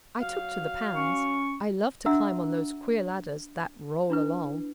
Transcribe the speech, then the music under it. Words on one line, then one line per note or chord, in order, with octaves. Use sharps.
"I took to the pans--I love to climb on those queer ladders that roll along!"
F#3 F5
C#4 C#6
D4 F#4 E5 F#5 A#5 E6
D4 E4 B4